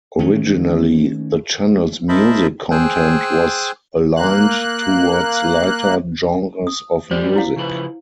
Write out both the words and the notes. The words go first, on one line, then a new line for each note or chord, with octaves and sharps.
Originally, the channel's music content was aligned towards lighter genres of music.
D#3 E3 A3 C#4
A#4 C5 D#5 E5 A5 B5
G#4 C5 G5 G#5 E6 F#6
A#3 F#6
D#6
G#3 G4 C5 D5
E4 F5
C#3 F3 B4